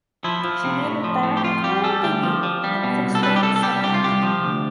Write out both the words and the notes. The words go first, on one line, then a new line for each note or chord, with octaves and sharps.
She made her directorial debut with the Netflix film "Set It Up".
F3 E4
F3
C3
A2
F3
A2
G4
F2 F4
G3 G4
G3 A4
D2 G4
F3
F3
G3
B2
C2
A4
G3 B4
G4
C2 A4
A4
G3 G4
C2 G4
F4
C2 G4
F3
D2